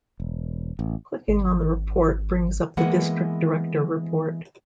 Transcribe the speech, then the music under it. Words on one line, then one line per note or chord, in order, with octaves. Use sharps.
Clicking on the Report brings up the District Director report.
E1
A1
G#1
E3 G#3 A#3 B3 F#5